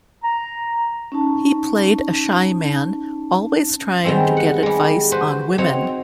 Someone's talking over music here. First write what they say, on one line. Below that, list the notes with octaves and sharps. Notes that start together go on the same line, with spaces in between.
He played a shy man, always trying to get advice on women.
A#5
C#4 D#4 A5
D#3 G3 G#3 B3 C4
F#5
G3 G#3
F#4 B4 C5
C4 D#4 F#4 C#5